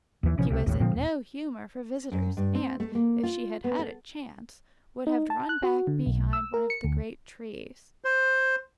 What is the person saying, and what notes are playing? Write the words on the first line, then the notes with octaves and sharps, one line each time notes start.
She was in no humour for visitors and, if she had had a chance, would have drawn back behind one of the great trees.
D#2 E3
A1 C3 F3 C#4
C2 C3
G#1 D#2 A2
A#2 D3 F3 C4
D#1
F#2
G2
C4
A3
A#3
F4
B3
A4
D#4
A5
F#6
F#4
D3
B1
E6
A#4
C#7
D2
C5